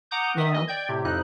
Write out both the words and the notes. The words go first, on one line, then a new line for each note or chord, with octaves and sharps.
you know,
F#5 A#5 D6 D#6 G6
D#3 E5 D#6
D#5
D5 G5 G6 G#6
A2 C3 G4
F2 D#4 E4 F#6